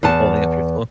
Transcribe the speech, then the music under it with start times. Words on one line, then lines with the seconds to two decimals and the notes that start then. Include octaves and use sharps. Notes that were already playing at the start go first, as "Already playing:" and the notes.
For holding up your phone.
0.03 E2 B4 F#5 A5